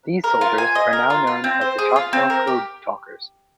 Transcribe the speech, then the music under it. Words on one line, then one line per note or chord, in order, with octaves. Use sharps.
These soldiers are now known as the Choctaw code talkers.
A#4
F4
G#5
D#5
A#4
F4
F4
C4
C5
G#4
F4
C4
A#4
G4